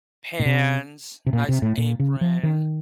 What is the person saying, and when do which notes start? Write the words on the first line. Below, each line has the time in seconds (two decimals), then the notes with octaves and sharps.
pans, nice apron.
0.40 A#2
0.46 C3
1.26 C3
1.33 A#2
1.49 C3
1.62 A2
1.78 A#2
2.00 C#3
2.21 F3
2.43 D#3